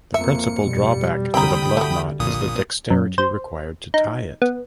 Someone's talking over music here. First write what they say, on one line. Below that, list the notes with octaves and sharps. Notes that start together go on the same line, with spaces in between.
The principal drawback to the blood knot is the dexterity required to tie it.
F2 A#3 E5 C#7
F2 B2 G3
C2 D3 C4 G5 A#5 B5 D#6
A3 F#4
A#1 A#2 D#6
F#2
C5
D#4
B3